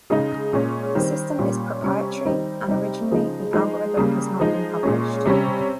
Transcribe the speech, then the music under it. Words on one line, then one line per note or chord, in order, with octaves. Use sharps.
The system is proprietary and originally the algorithm has not been published.
C#3 G#3 D#4
A#2 G#3 C#4
D#3 G3 C4
A#2 G3 C#4
C3 G3 C#4
D#3 G3 C4 D#4
C3 G3 C4 D#4
C#3 F3 G#3 D#4
F3 G#3 D#4
C#3 G3 A#3
F3 G#3 D#4
A#2 G#3 C#4
C3 G3 C#4